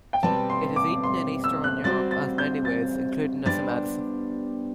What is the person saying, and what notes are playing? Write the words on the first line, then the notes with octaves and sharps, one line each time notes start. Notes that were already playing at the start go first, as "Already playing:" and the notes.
It is eaten in Eastern Europe in many ways including as a medicine.
G5
B2 G3 C4 G4 B4 A5
C6
D6
C6
E6
F#6
G3 C4 F#4 C5 A6
A6
G6
A6
G3 B3 D4 G4 C5 A6